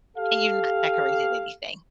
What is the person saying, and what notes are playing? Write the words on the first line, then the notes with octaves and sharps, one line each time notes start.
and you've not decorated anything.
G4 A4 F5